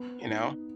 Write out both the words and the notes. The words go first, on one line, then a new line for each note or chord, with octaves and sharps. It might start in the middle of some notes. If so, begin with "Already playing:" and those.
you know?
Already playing: B3
D#4